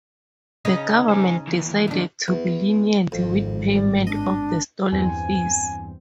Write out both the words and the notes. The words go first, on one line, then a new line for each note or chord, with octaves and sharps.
The government decided to be lenient with payment of the stolen fees.
C#3 C#4 D#4
C5 G#5
D#2 E3
D#3 D4
E2
G#1 F2
D5
D4 D#5
E2 G2 C4 G#5